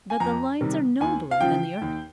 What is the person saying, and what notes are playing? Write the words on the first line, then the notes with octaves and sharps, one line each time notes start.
But the lights are nobler than the earth.
G#5
F2 A#5
C3 D#3 G3
D#2 G#5
F5
C#3 F3 G5
D#2